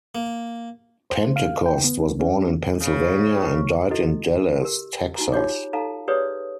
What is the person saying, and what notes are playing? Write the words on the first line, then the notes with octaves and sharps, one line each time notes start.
Pentecost was born in Pennsylvania and died in Dallas, Texas.
A#3
C5
F5
G5
B3
C#4
C#3
E4 F#4 A4 D#5
G4 A#4
D#4 F#4 A#5
D#4 F4 G4 C#5 D6
D#4 A4 F5 A5 A#5
G4 G#4 B4 C#5 D5 D#6